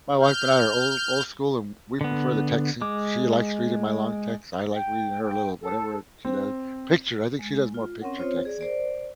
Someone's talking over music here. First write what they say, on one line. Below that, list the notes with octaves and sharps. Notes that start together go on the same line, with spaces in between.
My wife and I are old old school, and we prefer the texting. She likes reading my long text. I like reading her a little whatever she does, picture, I think she does more picture texting.
F6 G6
D3 B3
G#3 D6
G5
G5
A4
C4
G#3
F4
C4 C#4 A#4 C#5 F#5
C4 F4 C5 C#5
G#4 D5
A#4 C5 D5